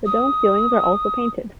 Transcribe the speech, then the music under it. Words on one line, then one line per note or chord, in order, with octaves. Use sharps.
The dome ceilings are also painted.
D#6